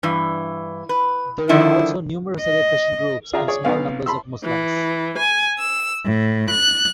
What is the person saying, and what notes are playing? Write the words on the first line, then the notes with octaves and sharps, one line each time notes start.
There are also numerous other Christian groups and small numbers of Muslims.
G2 E3
B4
D3 D#3 F3 E4
D#5
F4 G#4 D5 E5 A#5
G#4 C#5 D5
B1 B3 F5 G#5
A5 B5 C6 E6
E3
G#5
E6
A2
F#6